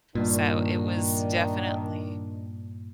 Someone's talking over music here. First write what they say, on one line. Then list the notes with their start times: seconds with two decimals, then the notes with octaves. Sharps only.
so it was definitely
0.15 G2 A#2 D#3 D4